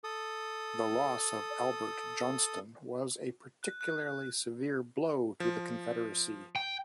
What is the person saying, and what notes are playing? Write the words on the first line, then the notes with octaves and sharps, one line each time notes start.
The loss of Albert Johnston was a particularly severe blow to the Confederacy.
A4 D#6
F#6
F#6
F3
G5